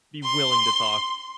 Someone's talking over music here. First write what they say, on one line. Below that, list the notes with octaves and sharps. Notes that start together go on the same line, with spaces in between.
be willing to talk.
C6